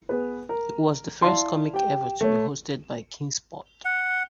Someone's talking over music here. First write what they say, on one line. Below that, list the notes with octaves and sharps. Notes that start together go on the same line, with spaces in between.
It was the first comic ever to be hosted by Keenspot.
B3 G#4 B4
A#4
E4 D5 F5 A5 C6
G4 G5
A3 C#5
F#5